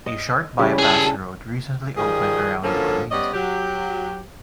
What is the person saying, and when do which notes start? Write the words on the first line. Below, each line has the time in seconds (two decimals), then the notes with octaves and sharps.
A short bypass road recently opened around the community.
0.06 D#5
0.59 C#3 G3 E4
0.79 G#4 A4
1.96 D#3 F3 G3 G#4
2.63 D3 F3 F#3 A#3 C#4 A4
3.11 G3 B3 C#4 D5 D#5
3.33 F#3 G4